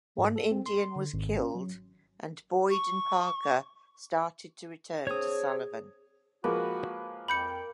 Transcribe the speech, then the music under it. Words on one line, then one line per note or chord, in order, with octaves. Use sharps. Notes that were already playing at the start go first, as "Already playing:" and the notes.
One Indian was killed, and Boyd and Parker started to return to Sullivan.
G#2
A4
C4
C6
D3
G#1
C#4
F#3
C#6
C4 D4 G#4 C#5 D#6
F3 G#3 A#3 F#4 B4
F2 G5 B5 G6 C#7